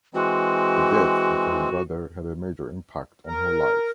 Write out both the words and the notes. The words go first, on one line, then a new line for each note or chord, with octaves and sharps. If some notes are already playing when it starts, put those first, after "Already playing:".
The death of her brother had a major impact on her life.
E3 G#3 C4 F#4
A#4